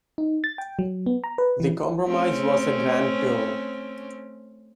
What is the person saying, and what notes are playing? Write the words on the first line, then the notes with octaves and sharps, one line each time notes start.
The compromise was a Grand Tour.
D#4
A6
G5
F#3
B3
A#5
B4
E3
A3 C4 C#4